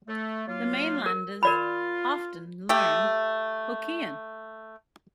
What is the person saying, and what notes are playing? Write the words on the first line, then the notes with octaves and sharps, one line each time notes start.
The mainlanders often learned Hokkien.
A3
F#3 A#3 F4
A#4
F4 A#4 D5 B5
A3 G4